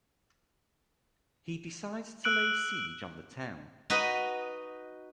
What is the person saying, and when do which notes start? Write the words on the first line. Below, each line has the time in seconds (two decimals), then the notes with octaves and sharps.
He decides to lay siege on the town.
2.24 E6 F#6 D7 F#7
3.90 D#4 F#4 B4 D#5